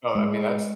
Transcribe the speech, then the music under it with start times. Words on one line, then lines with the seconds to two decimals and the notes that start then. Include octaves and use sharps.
Oh, I mean, that's
0.15 G#3